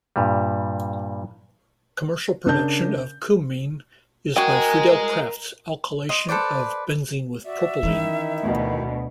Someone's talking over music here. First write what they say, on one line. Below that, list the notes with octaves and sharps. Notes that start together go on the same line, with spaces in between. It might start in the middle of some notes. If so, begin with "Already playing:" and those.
Commercial production of cumene is by Friedel-Crafts alkylation of benzene with propylene.
G2 A#2 G3
C#3 D4 A#4 A5 G6
F#4 A#4 D#5 G5 G#5
D#5 C6
A4 B4 C5 D5
F#4 D5 E5
D#3 E3 C#4 D#4 E4
D2 B2